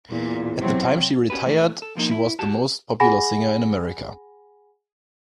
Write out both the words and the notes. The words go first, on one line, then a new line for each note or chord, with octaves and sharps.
At the time she retired, she was the most popular singer in America.
E2 A#2
C3 F#3 C4
C#4 F#4 G4 B4
A#2 E3 A3
A4
B1 F3 A#3 D#4
E4
F#4 G4 A5
G#4 F#5 G#5 B5 A#6